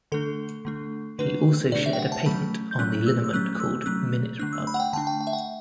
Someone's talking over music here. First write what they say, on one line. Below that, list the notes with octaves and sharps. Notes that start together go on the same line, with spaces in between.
He also shared a patent on a liniment called Minute-Rub.
D3 A3 D4 A4
D3 A3 D4
D3 A3 D4 B4
D3 A3 D4 D5
E5
G5
F#5
A5
F#3 A3 C#4 B5
G6
F#3 A3 C#4 F#6
E6
E6
F#3 A3 C#4 F#6
E6
E6
F#3 A3 C#4 F#6
D3 A3 D4 F#6
E6
B5
F#5
G5
D3 A3 D4 A5
G5
G5
E5
F#5